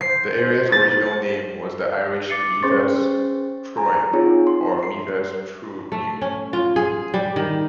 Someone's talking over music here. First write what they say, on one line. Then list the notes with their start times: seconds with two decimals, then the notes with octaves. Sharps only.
The area's original name was the Irish "Meathas Troim" or "Meathas Truim".
0.01 C5 C7
0.72 A6
2.29 D6 A6 C7 C#7
2.63 C#4 G#4 C5 C6 C#6 A6
3.77 G#5 A#5
4.13 C4 D#4 F4 G#4 C#5
4.47 C6
4.79 C6 C7
5.92 A3
6.21 C#4
6.53 F4
6.76 G#4
7.14 G3
7.36 D#3